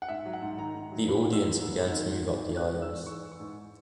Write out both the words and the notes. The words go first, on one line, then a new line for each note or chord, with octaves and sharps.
The audience began to move up the aisles.
F#5
G#2 E5
F#3
F#5
G#2
D#3 A#5
G#2
F#3
G#2 B5
D#3
E6
G#2
F#3
G#2
D#3
G#2
G#2
E3
E3 F#6
G#2
E6
G#2
E3 C#6
E3
C#6
G#2